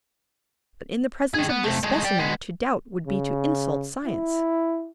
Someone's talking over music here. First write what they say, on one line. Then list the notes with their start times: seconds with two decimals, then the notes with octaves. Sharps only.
But in the presence of this specimen to doubt would be to insult science.
1.34 D#3 G#4
1.49 B3
1.64 C3 A3
1.83 G#3 A3
2.05 D5 G5
2.19 G#3 B3
3.06 C#3
4.05 E4